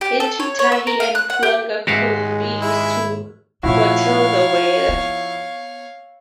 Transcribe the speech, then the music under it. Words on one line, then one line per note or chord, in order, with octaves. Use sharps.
Atutahi and Puanga could be used to foretell the weather.
G4
A4
C#5
C#5
E6
A#4
F5
F#6
F#5
G4
D#2 G#2 G#3 F#4 G4 E5 F5
E4
A#2 F3 A3 E4 F#4 C#5 F5
B3